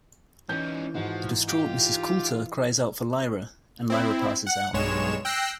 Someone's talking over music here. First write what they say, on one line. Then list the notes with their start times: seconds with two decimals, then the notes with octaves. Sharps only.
A distraught Mrs. Coulter cries out for Lyra, and Lyra passes out.
0.49 E3 C#4 D#4 G6
0.95 G#2 F3 F#4
1.48 F4 G4
3.90 C4 E4
4.47 F#5
4.73 B1 G2 G#3 C#5 E7
5.25 G5 E6 F#6 A#6 C7